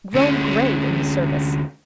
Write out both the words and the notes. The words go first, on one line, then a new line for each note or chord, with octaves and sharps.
Grown grey in his service!
D2 C#4